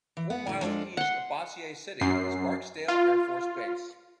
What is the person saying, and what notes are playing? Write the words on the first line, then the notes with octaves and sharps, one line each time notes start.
Four miles east of Bossier City is Barksdale Air Force Base.
E3
B3 F#5
A2 D3
F3 G#3 D4 F4 A4
F#5 C6
F#2 C7
F4